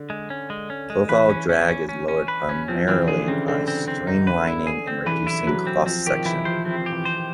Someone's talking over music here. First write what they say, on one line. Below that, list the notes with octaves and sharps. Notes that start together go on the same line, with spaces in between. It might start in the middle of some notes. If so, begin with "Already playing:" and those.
Profile drag is lowered primarily by streamlining and reducing cross section.
Already playing: D3
G#3
C#4
G#3
C#4
G#3
E3 B4
C#4
C#4
C#4
C#4
C#4
B4
C#4
F3 C4
E3 C4
D3 G#4
C#3 C4
D3 C4
C4
C4
D#4
B4
E4
G#4
C4
E3 B4
E4
F#3 B4
C4
F3 C4
D#3 G4
F3
E3 E4
F3 C5
F3 C4
G4
E3
C5